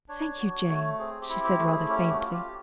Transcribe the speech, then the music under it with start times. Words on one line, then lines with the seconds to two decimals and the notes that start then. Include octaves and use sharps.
"Thank you, Jane," she said rather faintly.
0.09 D4 C#5
0.39 F#4
0.69 A3
0.99 C4 G#4
1.22 G4
1.29 E4
1.44 G4
1.58 A3
1.66 G#4
1.89 C#4 G4
2.11 F#4
2.19 F4
2.34 G4